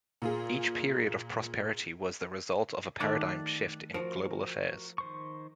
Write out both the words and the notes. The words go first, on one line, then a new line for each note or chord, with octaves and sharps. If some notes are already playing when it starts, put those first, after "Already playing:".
Each period of prosperity was the result of a paradigm shift in global affairs.
A#2 F4 G#4
D#3 A3 G4 D5 D6 F#6
F3 F#4 A#4
D#3 C5 C#6